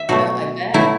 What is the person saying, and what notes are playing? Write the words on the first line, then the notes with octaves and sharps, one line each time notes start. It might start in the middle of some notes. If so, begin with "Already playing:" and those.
Oh, I bet.
Already playing: E5
B2 F#3 A3 F#4
B2 F#3 A3 E4